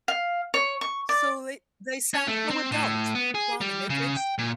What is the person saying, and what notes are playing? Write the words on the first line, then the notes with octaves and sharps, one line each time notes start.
So they they sound so adult. Ramen, it's it's
F5
C#5
C#6
D5
C#4
A3
C4
A2
B3
G#4
G3
C#3
G5
A#2